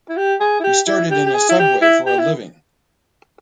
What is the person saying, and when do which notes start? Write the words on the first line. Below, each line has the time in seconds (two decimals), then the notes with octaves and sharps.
We started in a subway for a living.
0.09 E4
0.17 G4
0.40 G#4
0.60 E4
0.64 G4
0.87 E4
1.11 G4
1.26 G4
1.34 G#4
1.49 E4
1.59 G4
1.82 E4
2.06 G4
2.19 E4